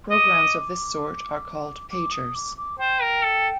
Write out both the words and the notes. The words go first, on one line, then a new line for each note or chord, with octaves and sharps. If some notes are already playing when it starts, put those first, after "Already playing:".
Programs of this sort are called "pagers".
D#5 D6
D6
D#6
D6
D6
C5 G5
A#4
A4